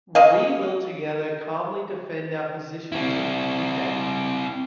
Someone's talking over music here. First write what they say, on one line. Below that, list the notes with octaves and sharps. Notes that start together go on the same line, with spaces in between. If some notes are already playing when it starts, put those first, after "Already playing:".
We will together calmly defend our position to the death.
D#5 F5
C4 E4